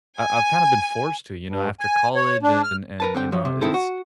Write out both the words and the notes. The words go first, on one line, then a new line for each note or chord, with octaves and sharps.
I I've kinda been forced to, you know, after college and and, you know, it's,
G#5
G2
G#5
C#5
D4
F6
A#4 B4 A5
D3 C4 G5
F3 F#3
C3
D#3 C4 E4 A4 C5
F#4